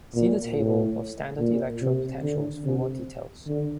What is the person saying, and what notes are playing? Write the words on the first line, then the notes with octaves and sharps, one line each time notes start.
See the "table" of standard electrode potentials for more details.
A#2
A2
A#2
C3
D3
C3
D3